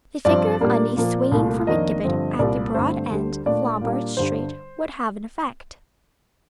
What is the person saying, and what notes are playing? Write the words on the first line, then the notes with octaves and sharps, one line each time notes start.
The figure of Undy swinging from a gibbet at the broad end of Lombard Street would have an effect.
G2 F3 C4 D5
A#2 G3 A#3 D4
A#2 F3 A#3
C2 A#2 A3
F2 D#3 A#3 D4 D#5
G2 D3 F3 C4
C2 A#2 G3 D5
G2 D3 A3 C4 C5
D2 D3 G3
A#2 A3 D4 D5
A#2 G3 A#3 D4
G2 D3 G3 C5